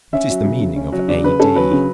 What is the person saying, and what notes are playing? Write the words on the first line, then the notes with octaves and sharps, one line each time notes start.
What is the meaning of A.D.?
C#4 E5
F#3
C#3
C#3
C#4
F#3
C#3 D5
C#3 B4
C#4 A4
F#3 B4
C#3